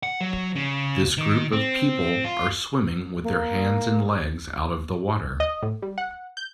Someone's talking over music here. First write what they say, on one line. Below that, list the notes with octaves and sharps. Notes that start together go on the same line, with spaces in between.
This group of people are swimming with their hands and legs out of the water.
F#5
F#3
C#3
D#3
C4
F4
A#3
D#5
A2
G3
F#5
G6